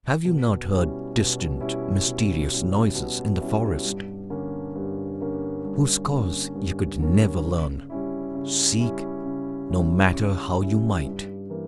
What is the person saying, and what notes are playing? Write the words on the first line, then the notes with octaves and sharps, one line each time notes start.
Have you not heard distant, mysterious noises in the forest, whose cause you could never learn, seek no matter how you might?
B2
G3 C#4 E4
B2
G3 C#4 E4
B2
G3 C#4 E4
B2
G3 C#4 E4
G2
D3 A#3 C#4
G2
D3 A#3 C#4
G2
D3 A#3 C#4
G2
D3 A#3 C#4
C#3
G3 C#4 E4
C#3
G3 C#4 E4
C#3
G3 C#4 E4
C#3
G3 C#4 E4
G2
E3 A#3